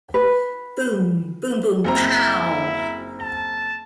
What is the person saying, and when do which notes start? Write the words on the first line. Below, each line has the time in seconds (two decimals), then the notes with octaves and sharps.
Boom boom-boom pow!
0.14 B4
1.84 F#1 C4 E4 A#5
3.21 A5